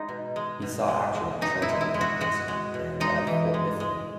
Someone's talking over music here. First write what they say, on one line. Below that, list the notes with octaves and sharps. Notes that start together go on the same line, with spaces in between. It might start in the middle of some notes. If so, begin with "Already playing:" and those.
He saw action at Trenton and Princeton, and at Fort Mifflin.
Already playing: G#3 D#4
B2
G#3
B2
G#3
G#3
B2 D#4
E4
G#3
E4
G#3
F#4
G#3 F#4
G#3
B2
G#3 D#4
E3
G#3
G#3